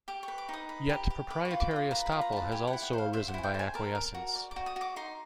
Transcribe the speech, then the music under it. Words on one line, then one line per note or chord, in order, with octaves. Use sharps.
Yet proprietary estoppel has also arisen by acquiescence.
G4 D6
C#6
B4
D6
D#4 D#6
B4
G4
G4
B4 D6
C#6
F4
D6
F4 D#6
B4 A#5
B5
F4
A#5
B4 A5
G4 G#5
F#5
E4
F#5
C5
F5
C5 E5
F#5
E4 G#5
G5
C5
G#5
A#4 A5
A#4
F#4
D5
D6
F#4
D#6
F#4 D6
D#4 C6